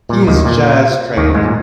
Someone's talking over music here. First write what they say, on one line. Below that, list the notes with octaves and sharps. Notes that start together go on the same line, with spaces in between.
He is jazz trained.
A#2
D#2 D#3
A#2
D#2 D#3
G#2 G#3
A#2